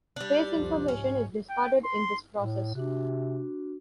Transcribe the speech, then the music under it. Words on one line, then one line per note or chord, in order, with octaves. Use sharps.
Phase information is discarded in this process.
G3 D4
C2 F2 F3
G#2 C#4
G5
C6
A2
C3 D4 F#4